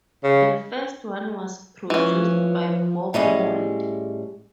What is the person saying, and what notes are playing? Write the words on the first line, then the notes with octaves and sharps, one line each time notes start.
The first one was produced by Bob Mould.
C#3
E3 F3 C#4
A2 G3 G#3 C#4